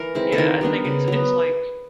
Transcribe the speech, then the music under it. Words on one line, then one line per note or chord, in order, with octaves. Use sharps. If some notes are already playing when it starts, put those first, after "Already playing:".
Yeah, I think it's it's like,
Already playing: E3 A#4
G#3 C4 E4
A4
D#3 A#4
G3 B3 D4
C#3
F#3 B3